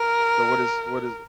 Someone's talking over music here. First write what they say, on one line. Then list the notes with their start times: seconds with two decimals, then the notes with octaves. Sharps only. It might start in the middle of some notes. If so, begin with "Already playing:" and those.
So, what is what is
Already playing: A#4